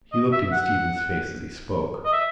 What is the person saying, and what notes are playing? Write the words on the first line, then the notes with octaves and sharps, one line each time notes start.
He looked in Stephen's face as he spoke.
D#5
E5
F#5
D#5
E5